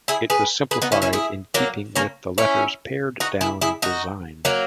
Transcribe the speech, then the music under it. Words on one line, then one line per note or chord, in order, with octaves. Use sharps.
It was simplified in keeping with the letter's pared-down design.
E4 G#4
G#4 B4
G#4 B4
B3 D#4
C#4 E4
C#4 E4
E4 G#4
F#3 A#3
A#3 C#4
C#4 E4
D#4 F#4
E4 G#4
E4 G#4
D#4 F#4
F#3 A#3